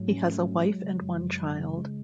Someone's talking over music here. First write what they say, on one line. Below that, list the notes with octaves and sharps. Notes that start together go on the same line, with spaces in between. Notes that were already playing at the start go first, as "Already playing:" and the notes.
He has a wife and one child.
Already playing: G#2 F#3 A3
C#4
A3
F#3
G#3
C#3
F#2
F#2
G#3
C#3
G#3